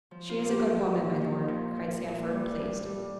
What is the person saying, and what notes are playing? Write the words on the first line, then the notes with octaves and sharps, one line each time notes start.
"She is a good woman, my Lord," cried Sandford, pleased.
F3
F4
A#2
G4
F3
A#2
F3
A#2
F3
A#2
G3
A2
G3